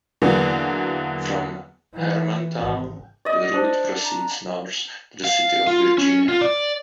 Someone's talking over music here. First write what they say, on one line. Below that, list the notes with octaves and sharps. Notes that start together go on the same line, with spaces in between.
From Hermantown, the route proceeds north to the city of Virginia.
E2 D3 E3 F#3 A#3 B3
E3
G#1
D5 D#5
D4 C5
A#5
F5
F4
C#4
F4
D5